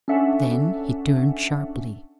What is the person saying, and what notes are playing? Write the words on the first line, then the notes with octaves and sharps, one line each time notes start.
Then he turned sharply.
C#4 D4 A4 E5 F#5